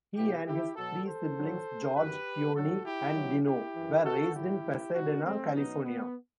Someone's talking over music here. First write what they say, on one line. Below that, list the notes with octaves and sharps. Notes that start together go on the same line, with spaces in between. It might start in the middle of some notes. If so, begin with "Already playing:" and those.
He and his three siblings, George, Theoni and Dino were raised in Pasadena, California.
B2 F#3 E4 G4
E4 G4
B2 F#3 F#4 A4
A4 C5
A2 F#3
F#2 D#3 F#3 G4 B4
A2 F#3 F#4 A4
E4 G4
B2 F#3
E4 G4
F#2 E3
F#4 A4
A2 F#3 E4 G4
B2 F#3 D#4 F#4
A3 C4
B2 F#3 B3 D#4
B3